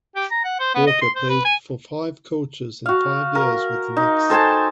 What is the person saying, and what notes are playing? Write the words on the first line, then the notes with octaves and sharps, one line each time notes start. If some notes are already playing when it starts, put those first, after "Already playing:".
Walker played for five coaches in five years with the Knicks.
G4
A#5
F#5
C5
B3
D#5
C6
C5
B4
G#5
F#4 F5
A#4
D#4
A4 C5 G#5 A5